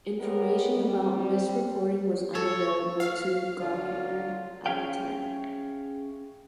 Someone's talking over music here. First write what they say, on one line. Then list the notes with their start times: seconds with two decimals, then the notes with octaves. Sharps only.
Information about misreporting was unavailable to Gauquelin at the time.
0.19 G#3 B3 G4 A#4 C#5 D5
0.75 G3 C4
2.35 A4 C#5
3.00 F5
3.60 D3 F#3 F4
4.66 C#4 G#4 E5 F5 G5